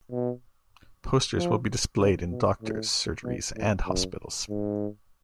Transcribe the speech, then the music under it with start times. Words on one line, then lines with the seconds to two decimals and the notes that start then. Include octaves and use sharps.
Posters will be displayed in doctors' surgeries and hospitals.
0.11 B2
1.36 F3
1.99 C#3
2.31 B2
2.62 A2
3.24 B2
3.55 A2
3.87 F#2
4.49 G#2